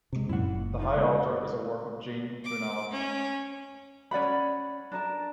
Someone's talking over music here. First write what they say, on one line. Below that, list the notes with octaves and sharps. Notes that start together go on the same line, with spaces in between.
The high altar is a work of Jean Brunello.
C3 G#3
F#2 A#2 E4 F#5
F#1
D#4 F4
D3 G#3 A#3
D6
C#4
C#4 D5 F#5 B5
D4 A#4 A5